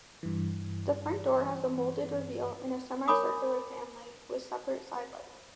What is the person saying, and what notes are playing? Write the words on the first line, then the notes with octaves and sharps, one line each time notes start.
The front door has a moulded reveal and a semi-circular fanlight, with separate sidelights.
G2 E3
A#4 C#5 G#5 B5 D6 D#6